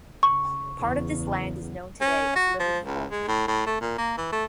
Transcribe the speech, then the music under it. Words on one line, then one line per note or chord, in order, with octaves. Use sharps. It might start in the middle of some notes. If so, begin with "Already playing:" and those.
Part of this land is known today as Liberty Hall Plantation.
C#3 C#6
E2 C#3
C#4
F#4
F3
C#2
G#3
A2
A2
A3
A#2
A#3
E3
A3